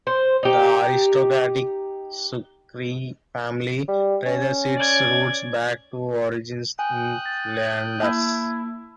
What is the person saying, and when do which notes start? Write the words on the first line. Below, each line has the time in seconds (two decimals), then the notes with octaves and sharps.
The aristocratic Sucre family traces its roots back to origins in Flanders.
0.07 C5
0.43 D#4 G4
3.88 G3
4.26 C#4
4.77 D5 G#6
6.79 G5 G#5 D#6 F#6
7.26 A6
8.02 A#3 E4 A5